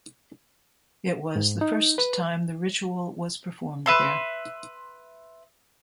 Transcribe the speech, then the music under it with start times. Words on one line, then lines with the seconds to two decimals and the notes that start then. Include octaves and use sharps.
It was the first time the ritual was performed there.
1.36 G#2
1.61 D#4
1.98 B4
3.86 B4 E5 C6